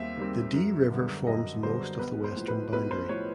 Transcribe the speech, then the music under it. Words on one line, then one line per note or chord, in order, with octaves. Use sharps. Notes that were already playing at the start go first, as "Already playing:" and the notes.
The "Dee River" forms most of the western boundary.
Already playing: D#2 G3 C4 E5 F5
D#3 G3 C4
F#2
D3 G3 B3
F#2 D#5
D3 G3 B3 C5
B1 B4
C5
A2 F3
B4
B1 B4
C5
A2 F3 C#5